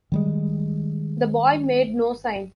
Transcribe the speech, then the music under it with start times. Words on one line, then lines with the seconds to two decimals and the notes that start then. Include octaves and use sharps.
The boy made no sign.
0.12 D#3 G3 G#3